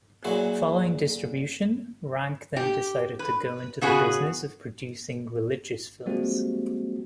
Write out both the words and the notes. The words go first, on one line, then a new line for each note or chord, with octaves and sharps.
Following distribution, Rank then decided to go into the business of producing religious films.
A#2 F#3 E4 F#4 G#4
G4
B4
C#3 B3 F#4 G#4
F3 G3 G#3 A#3 C4 F#4